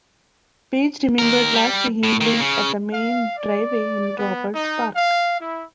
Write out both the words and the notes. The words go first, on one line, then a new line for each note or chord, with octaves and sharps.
Page remembered last seeing Lee at the main driveway in Roberts Park.
D#2 A#4
G3
A2
D#3 A#3
C#3
F5
D5
B3
D#4
F5
E4